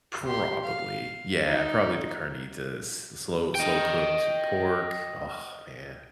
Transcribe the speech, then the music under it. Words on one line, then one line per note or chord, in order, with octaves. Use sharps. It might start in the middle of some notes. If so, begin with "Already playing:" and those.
Probably, yeah, probably the carnitas, the slow slow-cooked pork. Oh man,
G4 C6
F5
D#4
D#5 G5